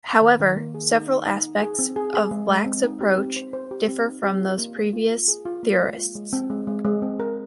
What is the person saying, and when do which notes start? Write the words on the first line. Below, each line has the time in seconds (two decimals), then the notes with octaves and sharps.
However, several aspects of Black's approach differ from those previous theorists.
0.22 D#3
0.39 D#3
0.56 A#3
0.74 G#4
0.92 D#4
1.09 D#4
1.27 D#4
1.44 D#4
1.61 G#4
1.79 C4
1.96 G#4
2.14 G#4
2.31 G#3
2.49 G#3
2.66 C4
2.84 D#4
3.01 G4
3.18 C4
3.36 C5
3.53 C5
3.71 G4
3.88 C4
4.06 D#4
4.23 G4
4.41 F4
4.58 A#3
4.76 G#4
4.93 F4
5.10 F4
5.28 G#4
5.45 F4
5.63 A#3
5.81 G#3
5.98 F4
6.15 G#3
6.33 C4
6.50 G#3
6.67 G#3
6.84 G#3
7.02 C4
7.20 A#4